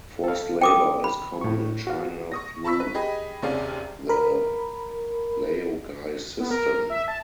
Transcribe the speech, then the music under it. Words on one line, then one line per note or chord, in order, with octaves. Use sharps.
Forced labor is common in China through the laogai system.
A4 F5
G5 D6 D#6
B5
A2 C#6
F#4 F5
C#6 D#6 A#6
A5 B5 C#6 E6 B6
B4
G4 G#4 D#5 B5
D#2 C3 C#4 G#4 D5 F5
A#4 B5
B3
A#4
E5
A5